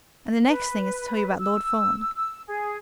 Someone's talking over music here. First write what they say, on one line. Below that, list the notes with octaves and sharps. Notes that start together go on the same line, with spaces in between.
"And the next thing is to tell you about Lord Fawn."
B4
E6
E6
G#4